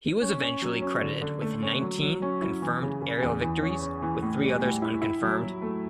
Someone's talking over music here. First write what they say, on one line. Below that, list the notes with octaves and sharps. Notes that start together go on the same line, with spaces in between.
He was eventually credited with nineteen confirmed aerial victories, with three others unconfirmed.
C#4
C#4
F#3
C#4
D3
D3
A3
C#4
F#3
F#3
C#4
E4
E3
C#3
C#3
E2
E3
C#4
C#4
E3
A2
G3
A2
E4
E4
F#3
F#3
A3